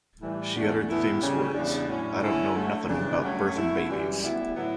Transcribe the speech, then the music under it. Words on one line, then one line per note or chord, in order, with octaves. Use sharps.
She uttered the famous words: I don't know nothin' 'bout birthin' babies!
A2 E3 G3
E2 D3 A3 D4
A2 E3 B3 E4
C#3 G3 C#4
E2 C#3 G3 D4
A2 F#3 C#4
D3 A3 C#4 E4
D3 F#3 A3
C#3 E3 G3 D4
G2 F#3 A3 C#4
D3 A3 E4
F#2 E3 G3
D2 D3 G3 B3 E4
A2 F#3 B3 E4